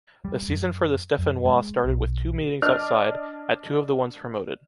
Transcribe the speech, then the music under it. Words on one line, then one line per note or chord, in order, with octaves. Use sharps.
The season for the Stéphanois started with two meetings outside, at two of the ones promoted.
G3
F#2
F#2
G#3
B1
D4 D5 D#5 F6